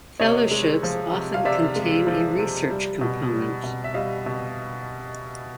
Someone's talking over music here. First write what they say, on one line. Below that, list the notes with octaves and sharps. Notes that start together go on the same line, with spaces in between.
Fellowships often contain a research component.
C3 C#5 D#5
G#3
F3
C3
F5
C3 D5 E5
G#3
F3
C3
G3
B2
G3
B2
E5
G3 D#5 F5
B2